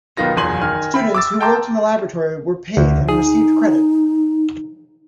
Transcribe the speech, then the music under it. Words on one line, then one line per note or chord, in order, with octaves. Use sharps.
Students who worked in the laboratory were paid and received credit.
B1 D#3 B3 F4 A#6
F#1 B1 E2 G#5 C6 F#7
D#3 G#5 F6
E5 G5 B5
D6 E6 A6
G5 A5 A#5 C6 D6 G6
D2
D#4 G#4